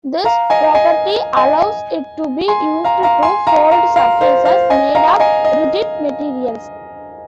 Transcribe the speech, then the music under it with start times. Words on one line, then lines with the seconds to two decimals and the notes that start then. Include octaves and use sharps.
This property allows it to be used to fold surfaces made of rigid materials.
0.25 F5 A#5
0.50 D#5 G#5
0.75 D#5 G#5
1.37 D#5 G#5
2.48 G#5 C6
2.85 F5 A#5
3.03 F5 A#5
3.23 G#5 C6
3.47 F5 A#5
3.71 F5 A#5
3.96 F5 A#5
4.21 C5 F5
4.45 C5 F5
4.70 D#5 G#5
4.95 F5 A#5
5.20 D#5 G#5
5.45 D#5